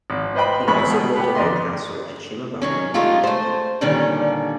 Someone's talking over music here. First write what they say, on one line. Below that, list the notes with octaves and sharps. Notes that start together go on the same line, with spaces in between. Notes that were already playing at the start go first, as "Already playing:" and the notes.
He also built a new castle at Shimabara.
G#1
B4 C5 D#5 G5 B5
A1 G#3 B5 C#6
B2
B3 G4
F2 D5 D#5 C6
D#3 F#3 C#4
G#3 A3 D#4 F4 G4
A3 C5
A#2 D3 D#3 G3 C#4